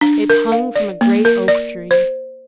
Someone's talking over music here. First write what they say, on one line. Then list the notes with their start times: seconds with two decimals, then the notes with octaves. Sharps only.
It hung from a great oak tree.
0.01 D4
0.30 A#4
0.52 F5
0.76 D5
1.01 A#3
1.25 A#4
1.48 D5
1.91 C5